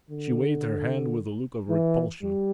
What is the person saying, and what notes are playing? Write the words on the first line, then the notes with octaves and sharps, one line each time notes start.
She waved her hand with a look of repulsion.
D3
E3
G3